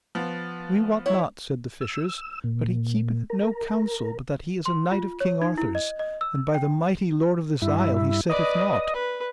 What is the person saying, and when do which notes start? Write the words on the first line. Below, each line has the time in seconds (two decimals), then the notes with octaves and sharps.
We wot not, said the fishers, but he keepeth it no counsel but that he is a knight of King Arthur's, and by the mighty lord of this isle he setteth nought.
0.15 F3 B3
1.06 E4 C#5
1.81 E6
2.44 A#2
3.30 A#4
4.66 C6
4.92 F4
5.20 C#5
5.42 D#4
5.58 E4
5.75 D#5
5.99 D#5
6.21 E6
6.55 G5
7.62 G2 E4
8.30 B4 D5 D#5
8.94 B4